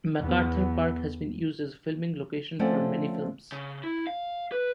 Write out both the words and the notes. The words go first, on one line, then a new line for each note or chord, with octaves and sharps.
MacArthur Park has been used as a filming location for many films.
E2 B3
F3 A3 C4 C#4 D5 F#5
C#3
E4
F5
B4